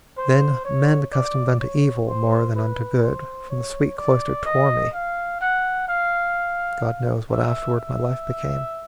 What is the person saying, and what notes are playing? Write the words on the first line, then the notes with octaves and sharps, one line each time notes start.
Then men accustomed unto evil more Than unto good, from the sweet cloister tore me; God knows what afterward my life became.
C5
C#5
D5
C#5
C5
B4
C5
C#5
D5
D#5
F5
F#5
F5
E5
E5